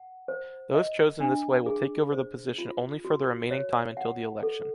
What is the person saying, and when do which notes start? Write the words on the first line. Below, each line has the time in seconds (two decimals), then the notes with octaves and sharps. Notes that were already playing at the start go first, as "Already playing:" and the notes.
Those chosen this way will take over the position only for the remaining time until the election.
Already playing: F#5
0.28 C5
0.74 D#5
1.20 D4
1.66 G#4
2.12 C5
2.58 F4
3.05 F#4
3.51 C#5
3.97 F#5
4.43 A4